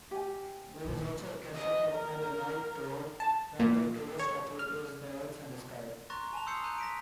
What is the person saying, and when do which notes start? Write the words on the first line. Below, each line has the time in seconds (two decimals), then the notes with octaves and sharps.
There is also a cafe and night-tours run by tourist operators, Earth and Sky.
0.11 G4 G#5
0.84 A#2 D#3
1.55 D#5
1.91 A#4
3.20 A5
3.60 A#2
4.19 C#5
4.59 F6
6.10 A#5 C6 C#6 F#6 A6 A#6
6.33 G#5 A5 F7
6.46 C6 D#6 E6 G6 C7 C#7
6.64 A#5 F#6 G6 D#7
6.78 A#6 B6 D7